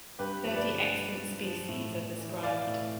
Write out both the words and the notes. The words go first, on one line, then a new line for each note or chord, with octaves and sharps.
Thirty extant species are described.
G2 G4 B4
F3
B4 D5
D3
G2
G2
F3
A2
A2
E3
E3 D5 F5
A2